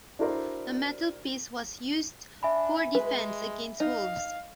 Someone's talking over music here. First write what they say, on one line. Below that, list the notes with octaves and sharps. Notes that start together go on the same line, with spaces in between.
A metal piece was used for defense against wolves.
D4 E4 F#4 A#4 C5 D5
D4 E5 G#5 B5
G#3 B4
D#4 F5